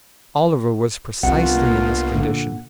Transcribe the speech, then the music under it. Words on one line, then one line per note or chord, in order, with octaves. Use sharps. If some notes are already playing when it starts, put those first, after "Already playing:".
Oliver was precisely in this condition.
C2 C3 B3 D4 F4 F#5
A#3
A#2 D3